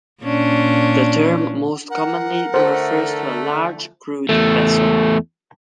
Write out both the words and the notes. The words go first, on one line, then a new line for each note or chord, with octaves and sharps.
The term most commonly refers to a large, crewed vessel.
A#2 C#4 D4
A#4 F#5
D3 A3 C5
E2 A3